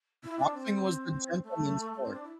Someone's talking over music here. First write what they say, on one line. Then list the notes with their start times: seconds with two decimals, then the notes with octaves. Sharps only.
boxing was the gentleman's sport.
0.24 E4
0.39 D4
0.54 C4
1.43 A3
1.93 A3
2.03 C4
2.14 D4
2.23 E4